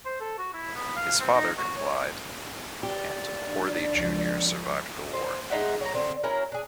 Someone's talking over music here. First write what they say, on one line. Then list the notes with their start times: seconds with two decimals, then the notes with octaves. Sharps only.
His father complied, and Horthy Junior survived the war.
0.05 C5
0.21 A4
0.38 F#4
0.53 E4
0.75 B3
0.96 F5
1.20 C4
1.34 D#4
1.58 F#4
1.77 C#5
2.83 G4 D5
3.47 D4
3.95 C#2 F3
5.14 C5
5.50 G#3 D#4 E5 F#5
5.81 F#3 A#5
5.94 D3 C4
6.24 F#3 C#4 E4 A#4
6.52 D4 G#4